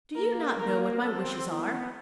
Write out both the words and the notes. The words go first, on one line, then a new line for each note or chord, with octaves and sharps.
"Do you not know what my wishes are?"
A#3 A#4
A#3 A#4
C4 A4
B3 E4